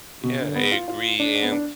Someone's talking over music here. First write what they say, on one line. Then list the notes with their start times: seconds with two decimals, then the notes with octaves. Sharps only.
Yeah, I agree, and
0.23 B2
0.40 D3
0.55 B3
0.72 F4
0.88 F4
1.20 D4
1.43 B3
1.52 D4